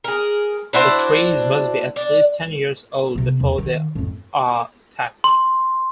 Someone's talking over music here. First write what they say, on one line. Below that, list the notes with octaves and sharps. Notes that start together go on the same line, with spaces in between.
The trees must be at least ten years old before they are tapped.
G#4 A#4
D4 E4 F#4 C5
D4
C3 B3
E2
D#3
F2 A2
C6